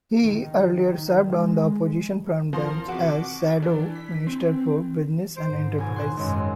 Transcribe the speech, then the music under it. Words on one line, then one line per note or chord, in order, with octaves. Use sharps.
He earlier served on the opposition frontbench as Shadow Minister for Business and Enterprise.
D#3
G#3
F3 A#4 C6
C2 F#4 D6
E3 D4
B6
C4
C5 D7
G#2
D#1 B2 G#5
C6 F#6 E7
G#1 F#2 G#3